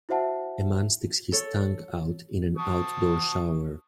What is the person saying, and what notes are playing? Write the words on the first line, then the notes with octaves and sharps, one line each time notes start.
A man sticks his tongue out in an outdoor shower.
E4 F#4 C5 E5 F#5 A5
A4 C#5
A5 C#6 D#6